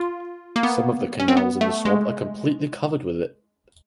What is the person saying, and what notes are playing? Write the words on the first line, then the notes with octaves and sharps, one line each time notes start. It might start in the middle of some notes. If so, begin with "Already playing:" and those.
Some of the canals in the swamp are completely covered with it.
Already playing: F4
A#3
B3
C#4
C4
B3
A3
G#3